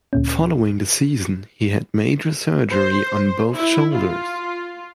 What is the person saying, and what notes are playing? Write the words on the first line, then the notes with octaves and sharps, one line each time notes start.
Following the season, he had major surgery on both shoulders.
D2 A#2 C#4
C5
E4
F4